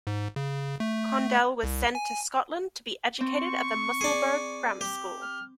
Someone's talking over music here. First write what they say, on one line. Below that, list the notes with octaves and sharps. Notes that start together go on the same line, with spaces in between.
Condell was sent to Scotland to be educated at the Musselburgh Grammar School.
G#2
C#3
A3
C2
G#5
C4 C#6
G#4 D5
G4
F6